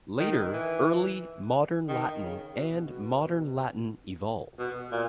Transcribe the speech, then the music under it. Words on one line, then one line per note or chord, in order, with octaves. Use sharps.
Later, Early Modern Latin and Modern Latin evolved.
D#3
E3
D#3
C#3
B2
B2
B2
A#2